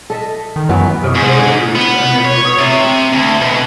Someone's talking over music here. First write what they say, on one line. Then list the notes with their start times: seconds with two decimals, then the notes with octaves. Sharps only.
There were no injuries to any of the residents.
0.10 A4 D#5 E5
0.56 D#3
0.69 F#2 E3 F#3 B3
1.15 G#2
1.75 B3
2.25 C#5
2.58 C3
3.13 D2
3.42 B2